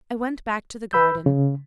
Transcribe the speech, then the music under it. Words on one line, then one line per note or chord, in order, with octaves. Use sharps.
I went back to the garden.
B4 B5 E6 G6
C#3